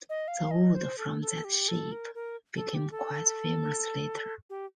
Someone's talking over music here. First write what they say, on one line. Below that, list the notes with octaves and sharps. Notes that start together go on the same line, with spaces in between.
The wood from that ship became quite famous later.
D#5
F5
D#5
C5
A4
A4
G4
A4
A#4
A#4
A4
G4
A4
G4